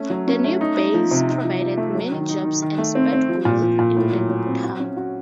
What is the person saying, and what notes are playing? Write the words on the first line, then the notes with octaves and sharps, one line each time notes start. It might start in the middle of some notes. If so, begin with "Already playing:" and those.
The new base provided many jobs and spurred growth in the town.
Already playing: A3 C#4
F#3
C#4
A3
D#4
D#4
F3
C3
D#4
F3
F3
A3
F#3
D#3
D#4
D#3
D#3
A3
C4
C4
F3
A#2
F3
A#2
A2
F#3
F#3
C4
F#4
C#4
F#4